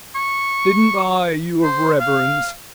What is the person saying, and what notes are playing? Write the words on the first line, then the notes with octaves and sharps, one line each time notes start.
Didn't I, your Reverence?
C#6
C5
F5